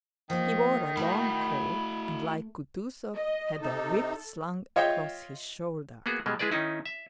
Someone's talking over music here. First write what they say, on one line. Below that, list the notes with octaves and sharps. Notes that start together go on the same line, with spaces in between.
He wore a long coat and like Kutuzov had a whip slung across his shoulder.
D#3 F3 A#3
A3 E4 F#4 B5
D#5
C3 D#4 A4
F4 C#5 D#5 E5 G5
A#3 B3 F#4 G#4
B2 G3 G#3
G#3 E4 G#4 B4 D5
D#3 C#4 D#4 E4
E5